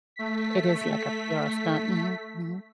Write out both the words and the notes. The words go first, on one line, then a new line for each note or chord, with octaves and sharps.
It is, like, a PR stunt. Mhm, mhm.
A3 B6